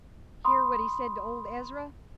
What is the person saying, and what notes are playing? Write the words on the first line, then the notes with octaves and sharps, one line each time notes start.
Hear what he said to old Ezra?
B5 C6 D#6